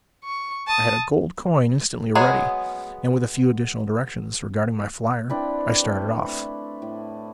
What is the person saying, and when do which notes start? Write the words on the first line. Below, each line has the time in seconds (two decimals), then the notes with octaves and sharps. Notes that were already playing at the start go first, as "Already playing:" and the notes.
I had a gold coin instantly ready; and with a few additional directions regarding my flyer, I started off.
0.24 C#6
0.68 A5 D#6
2.15 F#3 G#3 B3 G#4
5.30 C4 D4 E4 B4
5.83 A3
6.82 A2